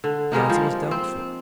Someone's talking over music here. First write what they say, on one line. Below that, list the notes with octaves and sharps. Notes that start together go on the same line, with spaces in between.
The answer was doubtful.
D3
G3 G#3 A#3 D#4
F3 C5
C4